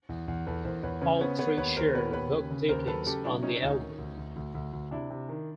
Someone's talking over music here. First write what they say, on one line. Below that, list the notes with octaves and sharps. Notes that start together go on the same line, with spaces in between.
All three shared vocal duties on the album.
E2
E2
E2 A4 B4
E2 A#4 C5
E2 B4 C#5
C#3 B4 C#5
C5
B3 B4 C#5
B3 B4 C#5
D#2 B4 C#5
D#2 A#4 C5
B3 B4 C#5
D#2 B4 C#5
C#3
C#3
D#2 A#4 C5
F#3 A4 B4
C#3 G4 A4
F#3 D4 E4
C3 C#4 D#4
D2 C#4 D#4
D#3
D2
D2
D2
D2
D2
C3 D4 E4
C3
D#3